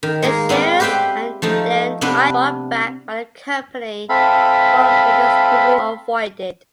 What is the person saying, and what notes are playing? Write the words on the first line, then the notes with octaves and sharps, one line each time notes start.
The shares are then either bought back by the company for redistribution or voided.
D#3
G#3 A#3 G#4 A#4
B3 C4 F4 D5
G4 B4 C5 D5 E5 G5
F3 A3 D#4
C3 B3 D4 B4
C4 A4 E5 F5 B5